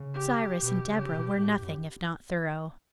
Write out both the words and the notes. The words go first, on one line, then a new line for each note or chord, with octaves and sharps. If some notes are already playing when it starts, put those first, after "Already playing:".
Cyrus and Deborah were nothing if not thorough.
Already playing: C#3
G4
B2 G4
C#3
B2
A2
F#2